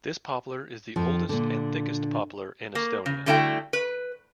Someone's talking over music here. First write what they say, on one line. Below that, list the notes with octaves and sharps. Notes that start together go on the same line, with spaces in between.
This poplar is the oldest and thickest poplar in Estonia.
F2 F3
A#2 D3
A#3
C#3
D3 G3 A3 E4 F#4 G5
B4